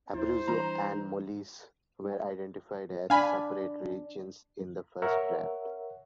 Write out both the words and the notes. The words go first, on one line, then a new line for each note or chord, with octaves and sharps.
Abruzzo and Molise were identified as separate regions in the first draft.
D#2 E4 C5
E3 G3 D4 A#5
D4 F5 G#5 B5
A#4 C#5 E5 F#5